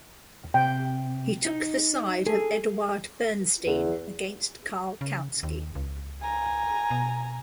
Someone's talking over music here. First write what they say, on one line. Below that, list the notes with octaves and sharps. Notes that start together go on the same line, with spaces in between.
He took the side of Eduard Bernstein against Karl Kautsky.
C3 G5
D#4
G#4 A4
E2
C#3
D#2
C#2
G#5 A#5
B2